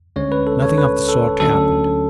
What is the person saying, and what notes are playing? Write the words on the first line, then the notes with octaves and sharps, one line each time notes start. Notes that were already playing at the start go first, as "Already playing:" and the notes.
Nothing of the sort happened.
D2 D3 G#3 C#4 C#5
B4
A4
C#5
B4
A4
D2 D3 F#3 C#4 A4